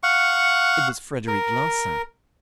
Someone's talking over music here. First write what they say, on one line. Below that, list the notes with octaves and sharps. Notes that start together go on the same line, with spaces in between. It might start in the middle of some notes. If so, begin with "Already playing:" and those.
It was Frederic Larsan.
F5 F#5 C#6
A#4